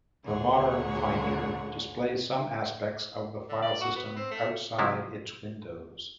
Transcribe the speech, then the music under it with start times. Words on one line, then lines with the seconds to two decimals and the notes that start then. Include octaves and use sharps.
The modern Finder displays some aspects of the file system outside its windows.
0.23 D2 A#2 D3 G#4 C#5 F#5
3.49 D3
3.63 D5
3.81 F#4
3.96 B3
4.17 C4
4.31 A3
4.79 C3 F3 F#3 E4